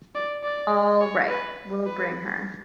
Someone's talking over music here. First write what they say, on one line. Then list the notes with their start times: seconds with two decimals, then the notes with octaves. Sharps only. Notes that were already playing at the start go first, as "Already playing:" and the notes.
All right; we'll bring her!
0.15 D5
0.43 D5
1.01 C#5
1.29 B4
1.86 B4